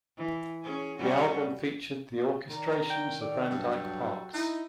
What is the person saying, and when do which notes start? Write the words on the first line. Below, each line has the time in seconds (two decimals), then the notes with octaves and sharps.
The album featured the orchestrations of Van Dyke Parks.
0.17 E3
0.63 C#4 G#4
0.98 G3 C#4 F#4
2.50 D#3 D5 A#5
2.90 G5
3.21 F#4 A4 D5 G5
3.51 G2 F#3
4.33 D#4 E4